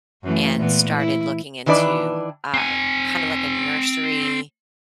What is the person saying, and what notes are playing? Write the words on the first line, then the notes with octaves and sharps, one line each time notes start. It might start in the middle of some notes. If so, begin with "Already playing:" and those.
and started looking into, uh, kind of like a nursery,
F#2 E3 A3
A#2 E3 B3
E4
D#3 E3 D4 B4 D5
C4 G#5